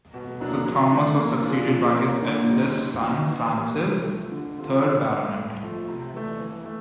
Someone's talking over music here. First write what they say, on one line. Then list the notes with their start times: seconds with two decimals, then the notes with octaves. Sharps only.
Sir Thomas was succeeded by his eldest son Francis, third Baronet.
0.14 B2
0.40 F#3 A#3 D4
0.66 F#3
0.92 A3 D4
1.18 A#3
1.44 D4 F4 G#4
1.71 F3
1.96 A#3 C#4
2.22 D3
2.48 G3 C4 D#4
2.75 C4
3.01 D#4 F#4
3.26 E3
3.53 G3 A#3
3.78 C3
4.05 F3 A3
4.31 D3
4.57 G3 C4 F4 A4
4.83 E3
5.09 A3 C4
5.35 A2
5.62 F3 A3
5.88 C3
6.14 E3 A3
6.39 E3
6.65 A3